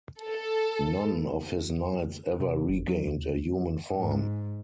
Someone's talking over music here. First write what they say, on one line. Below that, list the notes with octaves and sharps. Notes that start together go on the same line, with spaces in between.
None of his knights ever regained a human form.
A4
C3
G1
F#3
D#2
G#2